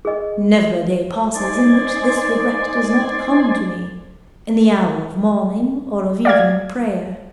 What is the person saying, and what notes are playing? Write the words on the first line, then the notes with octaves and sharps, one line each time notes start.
Never a day passes in which this regret does not come to me, in the hour of morning or of evening prayer.
G#4 D#5
D#4 C5 D5 G#5
D5 F5 G#6